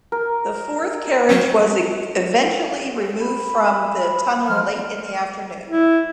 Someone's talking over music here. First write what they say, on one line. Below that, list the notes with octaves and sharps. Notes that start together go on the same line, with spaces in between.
The fourth carriage was eventually removed from the tunnel late in the afternoon.
A#4
F#3 C4 C#4
B5
F3 G#3 F6
E4